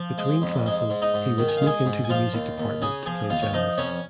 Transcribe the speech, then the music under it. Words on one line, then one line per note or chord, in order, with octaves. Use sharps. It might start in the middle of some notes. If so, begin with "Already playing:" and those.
Between classes he would sneak into the music department to play jazz.
Already playing: F3
G#3
F2
G#3
G#2
D#4 D#5
G#2
D#3
G#5
F5
G#3 G#4 G#5
G#2
G#5
F3 F4 F5
D#2
D#2
C#3 G#4 G#5
F3 G#4 G#5
D#2 F4 F5
C#5
F3 D#4 D#5
F2 C#4 C#5